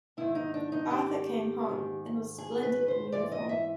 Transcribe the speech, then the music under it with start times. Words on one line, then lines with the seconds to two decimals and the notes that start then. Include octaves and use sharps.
Arthur came home, and was splendid in uniform.
0.17 G#2 D#3 E4
0.35 D#4
0.54 D4
0.72 D#4
0.91 G4
1.65 G#2 D#3
2.38 G#4
2.63 B4
2.88 C5
3.12 G#2 E3 D5
3.32 D#5
3.49 E5